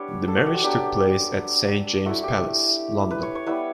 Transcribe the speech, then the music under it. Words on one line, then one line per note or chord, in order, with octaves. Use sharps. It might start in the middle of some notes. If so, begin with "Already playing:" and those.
The marriage took place at Saint James's Palace, London.
Already playing: G3 B3 D4 G4 C#5
A4
F#4
G4
F#4
F#3 B3 D4 G4
A3 E4 F#4
G4
B4
C#5
C#5
G3 B3 E4 B4